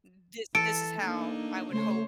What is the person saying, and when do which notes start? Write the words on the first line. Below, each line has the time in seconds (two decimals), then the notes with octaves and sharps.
this this is how I would hope
0.55 E3 A4 D7
1.01 A#3 D4 D#4
1.73 C#3 A3 C5 C#5